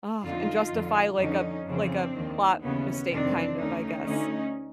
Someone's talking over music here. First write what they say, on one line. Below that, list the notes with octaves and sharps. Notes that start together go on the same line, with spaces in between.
uh, and justify like a like a plot mistake kind of, I guess.
F2 D3 D#4 F4
F2 D3
F2 D3 C#4 D#4
F2 C#3 E3 C4 D4
D#2 D#3
D#2 C#3 E3 B3 C#4
F2 C3 D#3 C4 D4
D2 D3 C#4 D#4
D2 D3 C#4 D#4